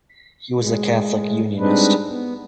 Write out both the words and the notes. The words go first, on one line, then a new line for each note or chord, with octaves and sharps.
He was a Catholic Unionist.
G#3
G3 G#3 C4 D4 D#4 B4
B3